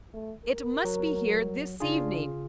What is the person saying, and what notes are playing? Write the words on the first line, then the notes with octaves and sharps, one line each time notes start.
It must be here this evening!
A3
A#4
F#3
C#3 D4 F4 G#4